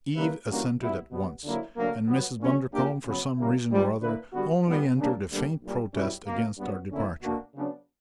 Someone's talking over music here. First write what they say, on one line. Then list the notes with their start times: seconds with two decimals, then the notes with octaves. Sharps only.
Eve assented at once; and Mrs. Bundercombe, for some reason or other, only entered a faint protest against our departure.
0.15 C#3 G3 A#3 E4 B4
0.48 G2 E3 A#3 C#4 F#4
0.79 B2 G3 B3 E4
1.11 B2 G3 B3
1.44 D3 F#3 A#3 E4
1.76 D2 D3 F#3 A#3
2.08 G2 F#3 B3
2.40 A#2 F#3 C#4
2.72 A#1 A#2 A#3 D4 G4
3.04 C#3 F#3 B3
3.37 C#3 G3 A#3 E4
3.69 A#1 A#2 G3
4.01 D3 A#3 E4 B4
4.33 D3 G3 B3 F#4
4.65 B1 A#2 G3 B3
4.97 C#3 G3 A#3 D4
5.30 D2 D3 G3 A#3
5.61 B1 A#2 G3
5.94 B1 B2 G3 C#4 E4
6.26 C#2 B2 A#3
6.57 G2 F#3 B3 F#4
6.90 E2 D3 A#3 C#4 E4
7.22 B2 A#3 D4 F#4
7.54 C#3 F#3 B3 D4